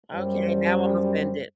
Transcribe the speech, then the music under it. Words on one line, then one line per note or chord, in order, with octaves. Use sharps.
Okay, now I'm offended.
F#2 G3 C5